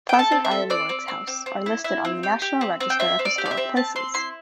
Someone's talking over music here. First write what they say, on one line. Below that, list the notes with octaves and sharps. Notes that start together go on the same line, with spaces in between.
Pleasant Iron Works House are listed on the National Register of Historic Places.
A4 G5
A5
C4
E5
A4
C4 D5
C4
C4
C4
C4
E4
E4
C4
G4
G4
C4
C4
G5
C4 E5
C4
D5
G4
D5
E5
C4
C4 A5
C4 C6
E4 C6